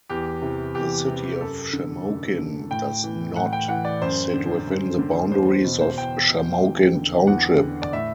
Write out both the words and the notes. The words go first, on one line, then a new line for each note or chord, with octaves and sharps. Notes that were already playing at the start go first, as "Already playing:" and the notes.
The city of Shamokin does "not" sit within the boundaries of Shamokin Township.
E2 G4
C3 E3
E2 G4
C3 E3
F#2 A4
D3
F#2
D3
A2 G5
E3
A2 F#5
G5
E3 F#5
D5
F#2 C5
D3
F#2
D3
E2 C5
C5
B2
C5
E2 G5
B2
E2
D3
E2 F#5
D3
D5
A2 E5